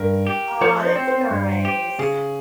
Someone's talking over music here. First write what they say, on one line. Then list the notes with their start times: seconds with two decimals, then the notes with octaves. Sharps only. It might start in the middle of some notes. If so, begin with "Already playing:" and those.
Aw, that's nice.
Already playing: G2 A#4
0.27 G4
0.61 F3 C#5
0.85 C5
0.96 C4
1.07 C5
1.30 G2
1.65 G4
1.99 C#3 G#4